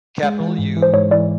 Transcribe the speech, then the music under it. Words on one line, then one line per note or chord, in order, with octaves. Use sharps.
capital U,
G#3
E3
G#2
E3
C5
G#2 C#5
E3 D5